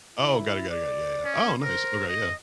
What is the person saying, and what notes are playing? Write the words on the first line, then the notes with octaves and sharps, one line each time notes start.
Oh, got it, got it, yeah, yeah. Oh nice, okay, yeah.
E4
D5
C#4
A#4 C5
D#5